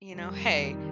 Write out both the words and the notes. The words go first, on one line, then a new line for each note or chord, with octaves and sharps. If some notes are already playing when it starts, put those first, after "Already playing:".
you know, "Hey,
F2 C3 D#3 G3